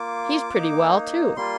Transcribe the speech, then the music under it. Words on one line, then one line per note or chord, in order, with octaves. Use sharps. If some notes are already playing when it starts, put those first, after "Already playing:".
He's pretty well, too.'
Already playing: A#3 F4 D6
A#3 D#4
G3 A#3 F4 C6